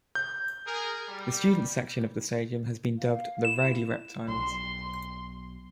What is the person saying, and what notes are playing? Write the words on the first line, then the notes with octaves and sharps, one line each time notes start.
The student section of the stadium has been dubbed the Rowdy Reptiles.
G6
G#4 A#4
G3
F5
E4 E7
B1 C6